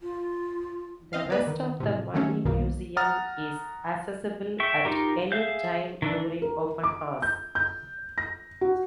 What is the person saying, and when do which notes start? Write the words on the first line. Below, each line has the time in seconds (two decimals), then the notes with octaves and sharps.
The rest of the Money Museum is accessible at any time during open hours.
0.01 F4
1.13 C4 D#5 F5
1.30 B3 B4 D5
1.47 D#3
1.80 A2 C3
2.14 D#3 F#3 A3 C#4
2.45 B1 G2 B2 D#3 A#3
2.96 F#5 A#5 D#6 F6 A6
4.60 E5 G5 C#6
4.85 D#4 F4 G4 A#4
5.32 G#4 E5 F5 G6
6.02 D#3 E3 D4
6.42 A#4
6.84 D6
7.22 G6
7.55 G6
8.18 A#6
8.61 F#4